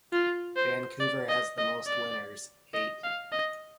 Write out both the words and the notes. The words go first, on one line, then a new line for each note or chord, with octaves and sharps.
Vancouver has the most winners, eight.
F4
C5
D5
D#5
D#5
D5
D#5
F5
D#5